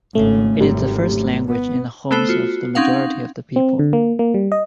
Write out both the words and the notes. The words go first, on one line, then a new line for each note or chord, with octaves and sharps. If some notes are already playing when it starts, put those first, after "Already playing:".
It is the first language in the homes of the majority of the people.
G#1 C#3 A3
G#1 F#2 C3 G3
B3
A3 B3 A4 C5
F4 F#4
C4 C#4 D#4 F5 F#5
C4
D3
A#3
A#3
G3
D#5